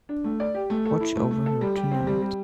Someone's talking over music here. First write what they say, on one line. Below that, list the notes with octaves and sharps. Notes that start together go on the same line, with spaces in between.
Watch over her tonight.
D4
A3
D5
G4
A3
A4
E4
A3
A3
A4
G3
G4
C4
G3
G3